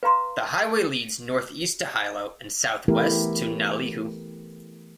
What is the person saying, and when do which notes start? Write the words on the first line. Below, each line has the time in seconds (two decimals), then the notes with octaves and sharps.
The highway leads northeast to Hilo and southwest to Naalehu.
0.03 B4 F5 A#5 C6
2.88 E3 A3 B3 E4 G4 A#4